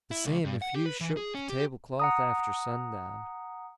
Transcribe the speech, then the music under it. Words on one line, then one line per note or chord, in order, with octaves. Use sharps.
The same if you shook the table-cloth after sundown.
E4
C#2
G2
F#5
G4
B4
E3
G#4
C#4
G4
F#5 A#5 D#6